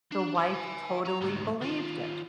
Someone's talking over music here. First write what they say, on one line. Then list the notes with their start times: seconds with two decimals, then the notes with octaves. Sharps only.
The wife totally believed it.
0.12 D4
0.35 D4 C5
0.50 E5 G#5
1.05 C#4 A#5
1.21 D2 G#2
1.61 D#3 F4